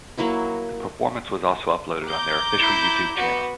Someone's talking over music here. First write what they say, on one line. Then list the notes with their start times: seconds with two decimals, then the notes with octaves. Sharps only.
The performance was also uploaded on their official YouTube channel.
0.18 F#3 A#3 E4 F#4
2.05 A#5 D6 G6
2.59 E4
3.17 B3 F#4